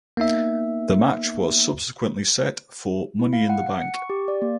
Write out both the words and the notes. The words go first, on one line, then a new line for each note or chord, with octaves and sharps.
The match was subsequently set for Money in the Bank.
A#3 B3 D#4 E5
E4
F5
F#5
F#5
C#7
C#6
G4
D5
A#3